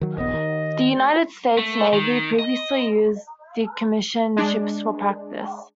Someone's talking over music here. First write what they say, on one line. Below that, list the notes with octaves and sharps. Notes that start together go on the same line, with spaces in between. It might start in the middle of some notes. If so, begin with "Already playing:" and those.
The United States Navy previously used decommissioned ships for practice.
D#3 F#3
D#1 A#1 D#2 B3 D#4 D#5
D#3
G3 A3 A4
A3
D#3
D#5
G#3 D4